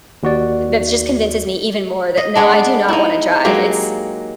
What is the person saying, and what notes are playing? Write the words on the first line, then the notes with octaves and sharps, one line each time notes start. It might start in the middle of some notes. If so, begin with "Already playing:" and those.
that's just convinces me even more that, no, I do not wanna drive. It's
D#2 F#4 D5
D#5
G#3 B3 D4
D#4 E4
F#3 G#3 A#3 G4